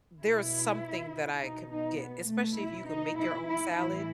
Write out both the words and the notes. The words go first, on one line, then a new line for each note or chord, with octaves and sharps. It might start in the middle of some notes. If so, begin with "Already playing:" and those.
there is something that I could get, especially if you could make your own salad
B2 E4
B2 D#4
D#4
B3
A3
B2 E4
D#4
E4
E4
A2 E3 E4